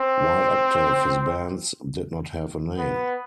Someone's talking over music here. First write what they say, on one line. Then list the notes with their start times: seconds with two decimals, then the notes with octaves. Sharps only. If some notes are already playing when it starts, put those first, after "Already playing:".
While active, his bands did not have a name.
Already playing: C4
2.78 B3